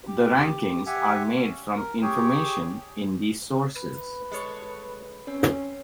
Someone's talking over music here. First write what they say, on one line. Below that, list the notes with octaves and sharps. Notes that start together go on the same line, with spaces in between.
The rankings are made from information in these sources.
G4
G4 E5 F#5 G#5
C#4
A#4
G4 G#4 C#5 G5
B4
G#3 A4 C#5
C4 C#4